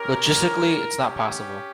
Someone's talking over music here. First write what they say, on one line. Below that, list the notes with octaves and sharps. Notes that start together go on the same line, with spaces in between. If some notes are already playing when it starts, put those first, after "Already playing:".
Logistically it's not possible.
Already playing: C#4 G4 A#4
C#4 G4